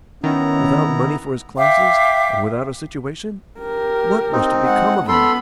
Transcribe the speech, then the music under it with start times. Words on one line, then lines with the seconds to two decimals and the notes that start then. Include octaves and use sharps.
Without money for his classes, and without a situation--what was to become of him?
0.24 D#3 B3 C#4 E4 A#5
1.57 E5 F5 G5 D6
3.59 G4 A#4
4.33 C4 D#4
4.66 G#3 F#5
5.08 B3 A4 B5 C6